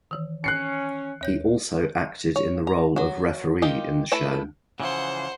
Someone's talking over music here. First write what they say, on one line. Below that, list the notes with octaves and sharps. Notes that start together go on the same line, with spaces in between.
He also acted in the role of "Referee" in the show.
D#3 E3
C#4 F#6 C7 C#7
D#2 C#5 G6
C#5
A#5
F#3 F#4
D#3 F4 G4 D#5
A3 E4 B4 E5 A5
C#3 E3 F3 C5 F#5